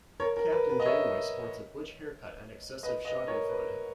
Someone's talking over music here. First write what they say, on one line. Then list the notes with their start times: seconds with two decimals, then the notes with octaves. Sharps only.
Captain Janeway sports a butch haircut and excessive schadenfreude.
0.20 A#4 C#5
0.37 A#4
0.53 B4
0.69 B4
0.80 D#5
0.85 C#5 E5
2.83 B4 D#5
3.05 B4 D#5
3.28 A#4 C#5
3.49 B4